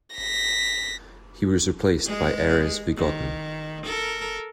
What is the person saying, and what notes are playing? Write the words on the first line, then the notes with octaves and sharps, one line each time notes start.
He was replaced by Erez Vigodman.
A#6 B6
G#3 G#4
D#3
A4 A#4